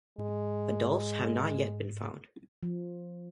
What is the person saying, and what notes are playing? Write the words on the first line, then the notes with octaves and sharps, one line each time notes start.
Adults have not yet been found.
G#2 G#3
F3